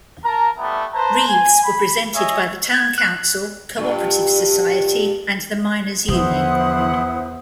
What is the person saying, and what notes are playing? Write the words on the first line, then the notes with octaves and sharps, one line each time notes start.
Wreaths were presented by the town council, co-operative society and the miners' union.
A#4 A5 A#5
G3 A3 B3 E4
B4 C5 A5 A#5
G#5
B5
C#5 D#5 E5 G#5
G#6
F#6
G2 A#2
E2 D3 F3 E4 C5 F#5 D#6